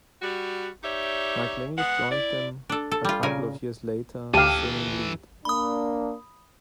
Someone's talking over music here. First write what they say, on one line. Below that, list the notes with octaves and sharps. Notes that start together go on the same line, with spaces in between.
Michael English joined them a couple of years later singing lead.
G3 F#4
D#4 G4 C#5 D5 E5
G#3 B3 F#5
E4 D5
D4 A4
A4
G3 F4
A#2 C#3 A#4 G#5
D2 E3 G4 A4 F5 A5 D#7
A#3 D4 B5 D#6